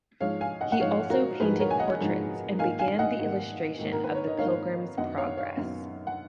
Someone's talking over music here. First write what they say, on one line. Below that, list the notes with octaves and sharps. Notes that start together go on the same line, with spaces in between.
He also painted portraits and began the illustration of "The Pilgrim's Progress".
G#2 F3 G#3 C#5 F5
F5 G#5
D#5 F#5
F#5
G#2 F3 G#3 C#5 F5
F#4 A#4
G#2 F3 G#3 G#4 B4
A#4 C#5
G#5
D#5 F#5
G#2 F3 G#3
G#2 D#3 A#3 F5 G#5
F5 G#5
D#5 F#5
G#2 D#3 A#3
G#2 D#3 A#3
A#4
B4
C#5
D#5
G#2 D#3 A#3 C#5 F5
F#2 D#3 F#3 B3 D#5 F#5
C#5 F5
C#5 F5
F#2 D#3 F#3 B3
F#5